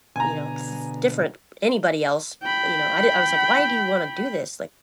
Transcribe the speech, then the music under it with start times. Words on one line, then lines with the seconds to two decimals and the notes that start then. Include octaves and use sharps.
you know, s different, anybody else. But, you know, I di I was like, "Why do you wanna do this?" Like
0.16 B2 D3 G#5 A#5
2.43 G5 B5